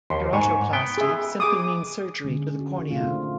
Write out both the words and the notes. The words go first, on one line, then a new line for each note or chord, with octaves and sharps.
Keratoplasty simply means surgery to the cornea.
D#2 C6
G#2 C#6
B3 G5
G#4 E5
G#4 D6 D#6
D3 G#3 C#4
F#4
D#3
A#2 A3 F4
C4 D4